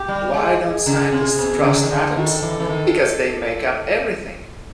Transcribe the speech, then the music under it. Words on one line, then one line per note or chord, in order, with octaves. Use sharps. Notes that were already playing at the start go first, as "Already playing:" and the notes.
Why don't scientists trust atoms? Because they make up everything!
Already playing: G4
G3
G#3
G#4
C#3
C3
B2
D3
C#3
D#3
D3
D#3 A4
E3
E3
D#3